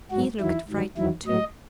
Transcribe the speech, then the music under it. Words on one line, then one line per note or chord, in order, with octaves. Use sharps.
"He looked frightened too."
G#2 F#3 F#4
E2 D#3 F#3 E4
G#2 D#3 F#3
E2 D#3 F#3 E4
A2 F#3 D#5